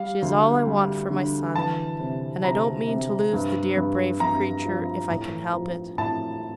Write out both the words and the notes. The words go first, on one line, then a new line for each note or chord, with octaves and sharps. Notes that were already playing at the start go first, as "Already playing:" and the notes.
She is all I want for my son; and I don't mean to lose the dear, brave creature if I can help it.
Already playing: G3 F5
D2
G3
D3
E3 A5
C3
C3 A#5
C3
G2
G2
G2 A#5
F3
A2
F3
A2 A5